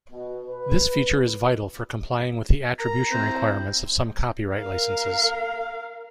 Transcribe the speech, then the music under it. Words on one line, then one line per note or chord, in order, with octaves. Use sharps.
This feature is vital for complying with the attribution requirements of some copyright licenses.
B2
B4
A#4 A#5
C4 E4 C5
A#4 F5